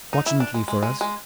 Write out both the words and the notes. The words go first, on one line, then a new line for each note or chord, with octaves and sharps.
"Fortunately for us."
D#4
E4
D4
G#3
G#3
G#3
G#3